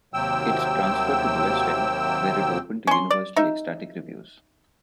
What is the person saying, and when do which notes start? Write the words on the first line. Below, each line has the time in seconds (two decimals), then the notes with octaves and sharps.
It transferred to the West End, where it opened to universally ecstatic reviews.
0.14 D#2 C3 F#3 G5 E6
2.87 C#4 C6
3.11 D5
3.36 D#4 E5